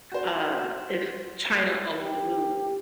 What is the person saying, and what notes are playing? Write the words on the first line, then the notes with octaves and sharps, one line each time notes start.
uh, if China owned the moon,
F#4 C5
G4